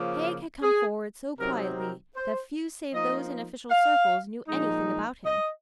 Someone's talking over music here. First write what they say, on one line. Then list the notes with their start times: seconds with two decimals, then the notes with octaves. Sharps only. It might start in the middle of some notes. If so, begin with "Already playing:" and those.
Haig had come forward so quietly that few save those in official circles knew anything about him.
Already playing: C#3 F3 A#3
0.62 G#4
1.38 C3 F#3 C4 D#4 A#4
1.77 A#4
2.16 C5
2.93 F3 A#3 D#4 D#5
3.71 F5
4.48 A#2 F3 G#3 D#4
5.25 D#5